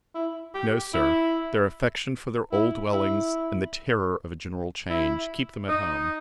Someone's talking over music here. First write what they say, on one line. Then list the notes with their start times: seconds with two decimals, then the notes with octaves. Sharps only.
No, Sir; their affection for their old dwellings, and the terrour of a general change, keep them at home.
0.14 E4
0.54 G4
0.93 E4
2.52 E4
2.92 E4
4.90 E4
5.69 D#4